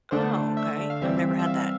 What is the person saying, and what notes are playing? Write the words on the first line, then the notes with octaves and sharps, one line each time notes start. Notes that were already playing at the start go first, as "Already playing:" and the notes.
Oh, okay, I've never had that.
D3 A3 D4 C5
E5
F5
E3 G3 C4 E5
E5
F5